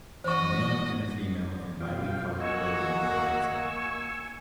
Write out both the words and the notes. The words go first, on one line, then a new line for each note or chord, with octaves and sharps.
A male and a female in lightly colored clothing are dancing.
E2 F#4 C5 D#5 C#6
B2 F4 F5 G5
A#3 F#4 D#5 G#5 C#6 E6